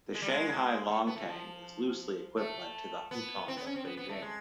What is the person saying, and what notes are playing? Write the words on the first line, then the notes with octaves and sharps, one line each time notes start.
The Shanghai longtang is loosely equivalent to the hutong of Beijing.
G#3
G3
G#3
A3
B3
A3
F3
A3
B3
C4
B3
C#4
C4
B3
B3
A3
G#3